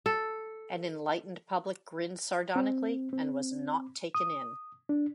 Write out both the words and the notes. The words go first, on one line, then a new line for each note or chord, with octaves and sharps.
An enlightened public grinned sardonically, and was not taken in.
A4
C4
C4
D#6
D4